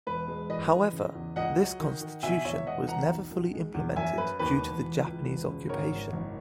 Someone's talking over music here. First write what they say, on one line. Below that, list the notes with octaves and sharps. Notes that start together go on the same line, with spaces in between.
However, this constitution was never fully implemented due to the Japanese occupation.
E1 B4
G#3
E3 B4 D#5
E3
C#3
E2
C#2 D#5 F#5
F#3
D#3
D#3
B2 E5 G#5
E2 C#5 E5
E1 D#5 F#5
E2 F#5 A#5
B1
B1
G#3
E2
F#2 E5 G#5
F#2 B4
D#2 B4
E1
E3
C#2
E1
C#3
G#1 A#4 C#5
G#1
F#1